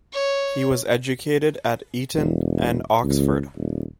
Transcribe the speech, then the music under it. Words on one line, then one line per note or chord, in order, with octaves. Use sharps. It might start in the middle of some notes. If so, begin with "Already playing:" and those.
He was educated at Eton and Oxford.
C#5
E1
C#2
D#1